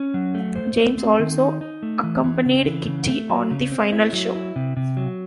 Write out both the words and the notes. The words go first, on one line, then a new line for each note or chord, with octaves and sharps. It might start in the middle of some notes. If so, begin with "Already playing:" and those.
James also accompanied Kitty on the final show.
Already playing: C#4
F#3
A3
C5
A3
C4
D#3
D#4
D#4
A3
E3
E3
C#3
E3
C#3
A3
F#3
C#3
C4
E4
F#3
E4
C3
C3
F#3